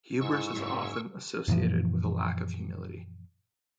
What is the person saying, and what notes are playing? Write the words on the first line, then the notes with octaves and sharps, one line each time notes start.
Hubris is often associated with a lack of humility.
G#2 E4 C#6 E6
F#1 G#2
F#2 A#2 E3 F3